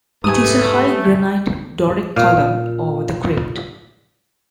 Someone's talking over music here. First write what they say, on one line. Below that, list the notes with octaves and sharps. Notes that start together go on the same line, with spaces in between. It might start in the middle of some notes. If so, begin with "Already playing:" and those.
It is a high granite Doric column over the crypt.
G#2 A3 G4 B4 G#5 D#6
A#2 F5